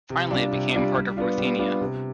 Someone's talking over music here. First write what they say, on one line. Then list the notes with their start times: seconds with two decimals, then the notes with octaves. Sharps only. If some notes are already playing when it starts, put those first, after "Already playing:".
Finally it became a part of Ruthenia.
0.10 C3
0.31 G3 D4 F4
0.53 C3
0.74 G3 D4 F4
0.95 G3
1.17 B3 D4 F4
1.38 G3
1.59 B3 D4 F4
1.81 C3